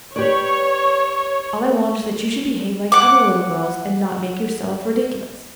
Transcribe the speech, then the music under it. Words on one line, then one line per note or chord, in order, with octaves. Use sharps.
All I want is that you should behave like other little girls and not make yourself ridiculous.
G4 B4 C#5 D5
F#5 D6